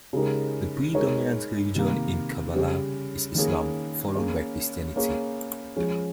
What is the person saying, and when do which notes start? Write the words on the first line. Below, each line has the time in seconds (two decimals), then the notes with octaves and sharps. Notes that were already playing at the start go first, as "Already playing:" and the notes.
The predominant religion in Kabala is Islam, followed by Christianity.
0.13 C#3 G#3 D#4 G4 A#4
0.94 G#3 D#4 A#4 C#5
1.75 C3 D#3 A#3
2.54 C#3 G3 C#4 G4
3.35 D#3 A#3 C#4 G#4
4.15 A#3 C#4 G#4 C#5
4.96 A#3 C#4 G#4 C#5
5.76 F3 G#3 C#4 G#4